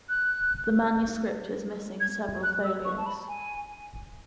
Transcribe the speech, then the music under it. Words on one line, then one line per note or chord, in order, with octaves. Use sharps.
The manuscript is missing several folios.
F#6
G#6
F#6
E6
C#6
A5
B5
G#5